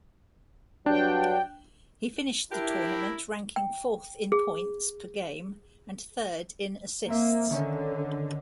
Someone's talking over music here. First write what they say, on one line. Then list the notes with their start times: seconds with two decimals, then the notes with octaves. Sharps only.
He finished the tournament ranking fourth in points per game and third in assists.
0.86 G2 F#3 D4 G5
2.51 D4 E4 G4 A#4
3.56 G5
4.32 G#4
7.09 A#3 C4 E5
7.50 D3 D#3 C#4